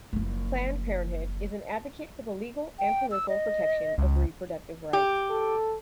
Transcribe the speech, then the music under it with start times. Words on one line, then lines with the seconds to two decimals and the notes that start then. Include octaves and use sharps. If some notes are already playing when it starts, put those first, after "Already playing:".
Planned Parenthood is an advocate for the legal and political protection of reproductive rights.
0.13 F#1 F3
2.79 G5
3.11 E6
3.29 D#5
3.98 C#2
4.93 G4
5.30 A4